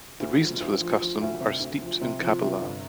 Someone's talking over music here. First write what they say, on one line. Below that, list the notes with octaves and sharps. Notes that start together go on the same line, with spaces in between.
The reasons for this custom are steeped in Kabbalah.
D2
F3
D2
F3
F3
D2
C3
D2
F3
C3
F3
C3
G1